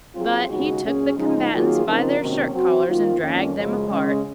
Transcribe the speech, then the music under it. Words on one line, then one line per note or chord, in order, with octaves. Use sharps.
But he took the combatants by their shirt collars and dragged them apart.
F#3 C4 F4 G#4
D#2 C#3 G#3 D#4 F#4
A#2 F#3 C#4 G#4
C#3 F3 G#3 D#4
D#3 F#3 A#3 F4 G#4
C#3 F3 C4 D#4 A#4
C3 D#3 F#3 A#3 C#4
F#3 C4 F#4 C5
D#3 A#3 F4
F2 D#3 A#3 C#4
F#2 C#3 F3 G#3
C#3 G#3 C#4